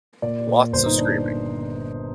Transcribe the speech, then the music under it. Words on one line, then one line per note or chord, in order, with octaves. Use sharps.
Lots of screaming.
A#2 D5
A#2
G1 C5
D#4
D4